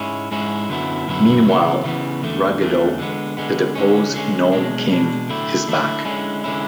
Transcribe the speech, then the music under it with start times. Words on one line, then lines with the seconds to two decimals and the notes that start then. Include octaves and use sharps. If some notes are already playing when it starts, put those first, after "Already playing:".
Meanwhile, Ruggedo, the deposed Gnome King, is back.
Already playing: G#2 G#3 C#4 E4
0.31 G#2 G#3 C#4 E4
0.69 F#2 D3 F#3 B3 E4
1.08 F#2 D3 F#3 B3 E4
1.45 C#3 E3 B3
1.84 C#3 E3 B3
2.23 E2 D3 A3
2.61 E2 D3 A3
2.99 D3 G#3 B3
3.37 D3 G#3 B3
3.75 D3 G#3 C#4
4.14 D3 G#3 C#4
4.52 B2 G#3 D4
4.91 B2 G#3 D4
5.29 D3 A3 E4
5.67 D3 A3 E4
6.05 D3 G#3 C#4 E4
6.44 D3 G#3 C#4 E4